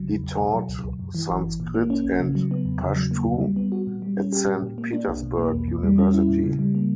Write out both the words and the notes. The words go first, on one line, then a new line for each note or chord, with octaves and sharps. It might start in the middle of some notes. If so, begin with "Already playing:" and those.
He taught Sanskrit and Pashtu at Saint Petersburg University.
Already playing: A#1 C#3 F#3
E2
E2
B2
F#3
C#2
C#2
F#2
E3
G1
G1
A#2
A#3
C#4
A#1
C#3
F#3
B3
E2
C#3
F#3
A#3
C#2
G3
B3
F#4
A#2
G3
C#4
G4
A#2
A#2
A#3
D4
B1
B2
A#3
E2
E2
G3
C#4
E4
A#2
C#3
G3
A#3